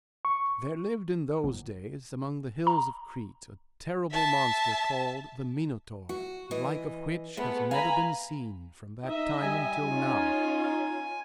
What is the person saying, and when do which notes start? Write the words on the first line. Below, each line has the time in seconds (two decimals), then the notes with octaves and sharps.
There lived in those days among the hills of Crete a terrible monster called the Minotaur, the like of which has never been seen from that time until now.
0.25 C#6
1.44 G1
2.67 A#5
4.12 E5 A5
6.09 F#4
6.51 E3 D#5
7.37 G#3 A3 B3
7.71 F5 G#5 A#5 B5
9.05 D#4 D#5 E5
9.42 G3 G#5
9.85 C#4 D#4 F4